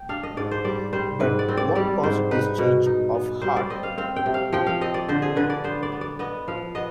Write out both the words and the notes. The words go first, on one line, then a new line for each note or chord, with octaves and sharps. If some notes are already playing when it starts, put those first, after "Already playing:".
But what caused this change of heart?
Already playing: G5
D4 F5
D#5
G#2 D5
C5
G3 D5
G3 C5
G#2 B4
D5
C4
D5
G3 D5
G#2 C5
D#4 B4
B2
D#4
B3
G3 C5
D5
C4 D#5
F5
C4 F5
G5
C3
F5
F3 G5
F5
C4 D#5
D5
D3 C5
G#4
D3 B4
D5
B3 C5
D5
B3
D5
B3 D#5
F3 F5
B3 D#5